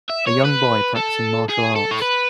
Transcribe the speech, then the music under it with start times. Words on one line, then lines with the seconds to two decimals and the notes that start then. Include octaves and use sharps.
A young boy practicing martial arts.
0.10 E5
0.27 C#5
0.44 B4
0.97 A4
1.49 G#4
1.76 A4
1.91 C#5
2.02 B4